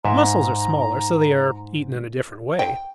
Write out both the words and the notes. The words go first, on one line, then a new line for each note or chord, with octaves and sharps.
Mussels are smaller, so they are eaten in a different way.
G#2 E5 A#5
G5